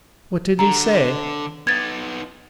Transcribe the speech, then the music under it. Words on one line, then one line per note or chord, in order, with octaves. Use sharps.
"What did he say?"
D3 A#5
B3 D#4 G#6 A6